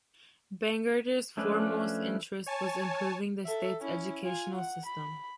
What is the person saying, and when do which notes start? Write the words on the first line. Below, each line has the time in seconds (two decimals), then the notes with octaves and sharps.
Bangerter's "foremost interest was improving the state's educational system".
1.37 F3 A3 C#4 D4 B4
2.46 C#5 G#5 A5
3.46 A4 E5
3.82 C#4 E4
4.24 F4 G#5
4.56 F#5
4.86 B5